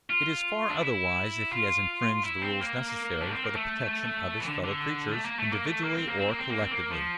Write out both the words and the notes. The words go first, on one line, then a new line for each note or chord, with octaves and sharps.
It is far otherwise if he has infringed the rules necessary for the protection of his fellow-creatures, individually or collectively.
F4
D4
E4
F4
E4
C4
A#3
D4
C4
A#3
A3
E3
D3
D3
A3
A#3
A3
A#3
A3
A#3
C4
A#3
C4
A#3
C4
A#3
C4
A#3
F3